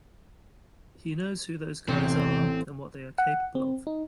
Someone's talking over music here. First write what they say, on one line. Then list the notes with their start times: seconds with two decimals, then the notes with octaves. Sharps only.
He knows who those guys are and what they are capable of.
1.88 A1 E2 C3 C4
3.18 F#5
3.55 C4
3.87 D#4